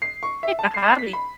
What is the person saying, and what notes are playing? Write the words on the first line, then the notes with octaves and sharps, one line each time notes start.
pick a hobby?
C7
C#6
E5
A5
C7
B6
B5